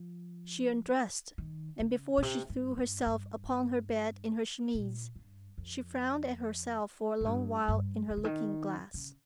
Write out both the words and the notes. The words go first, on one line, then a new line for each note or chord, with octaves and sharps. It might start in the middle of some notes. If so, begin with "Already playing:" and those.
She undressed, and before she threw herself upon her bed in her chemise, she frowned at herself for a long while in her looking-glass.
Already playing: F3
D#3
C#3
A#2
C3
G2
G2
G2
A#2
G2
F2
G#2
G2
G2
D#3
C#3
D#3
C#3